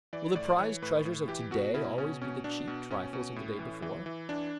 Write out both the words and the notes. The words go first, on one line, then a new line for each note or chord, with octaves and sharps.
Will the prized treasures of to-day always be the cheap trifles of the day before?
E3 D5
A2 D5
E3 C#5
A2 B4
A2
E3 G4
B2 F#4
B2 E4
B2 C#4
B2 C#4
B2 D4
B2
B2 C#4
B2
A2
E3
E3
E3
E3 D4